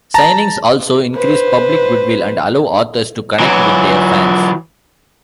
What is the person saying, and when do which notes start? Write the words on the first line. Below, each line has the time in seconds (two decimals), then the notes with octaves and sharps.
Signings also increase public goodwill and allow authors to connect with their fans.
0.14 A5 A#5
1.16 B4 C5
3.40 E3 F#3